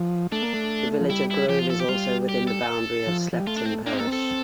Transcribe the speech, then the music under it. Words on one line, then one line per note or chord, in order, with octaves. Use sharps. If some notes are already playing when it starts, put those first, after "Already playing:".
The village of Grove is also within the boundary of Slapton parish.
Already playing: F3
A3 D4
A#3
A3
F3
G3 E4
E4
F3 G4
F4
A4
G4
G3 F4
G4
A4
F3
F3
G3
A3 F4
D4
C4
A#3 D4
C4 G4
A#3 A4
C4
A4